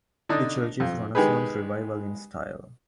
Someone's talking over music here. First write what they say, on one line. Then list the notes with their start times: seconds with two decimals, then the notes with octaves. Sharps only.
The church is Renaissance Revival in style.
0.29 D3 D4 D#4
0.80 F2
1.15 D#3 G#3 B3 G4 G#4 B4